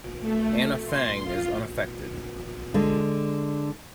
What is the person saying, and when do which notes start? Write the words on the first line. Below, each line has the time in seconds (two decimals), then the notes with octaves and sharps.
Anna Fang is unaffected.
0.21 A3
0.87 C6
1.24 F4
2.74 D3 G#3